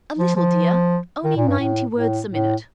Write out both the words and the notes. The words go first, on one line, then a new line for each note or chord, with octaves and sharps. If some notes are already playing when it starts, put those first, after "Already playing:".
'A little, dear; only ninety words a minute.'
F3
F3
D#3
A#2
G2
A2
A2
A2